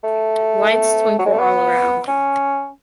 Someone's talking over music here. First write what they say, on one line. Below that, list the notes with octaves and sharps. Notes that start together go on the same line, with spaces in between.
Lights twinkle all around.
A3
F#3
G#3
A3
B3
C#4